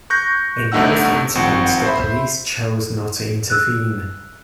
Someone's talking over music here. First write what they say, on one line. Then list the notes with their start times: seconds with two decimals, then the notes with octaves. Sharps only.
In both incidents the police chose not to intervene.
0.10 C#6 F#6 G6 A#6
0.72 G1 G2 A3 D#4 F#5 E6
1.35 G#1 F3 C4 F#5 C#6
1.85 C5 E5 B5
3.50 E6 F#6